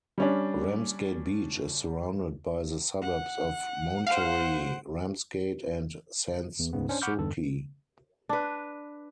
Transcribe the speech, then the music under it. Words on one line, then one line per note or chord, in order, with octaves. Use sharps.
Ramsgate Beach is surrounded by the suburbs of Monterey, Ramsgate and Sans Souci.
G3 C#4 D4
F#5
C5 F5 F#5
E2
D2 G#2 C#3 B3
C#4 D4 C5
F#5 B5 C#6 D6 F6 G6
E2 G2 D3 A4
D4 B4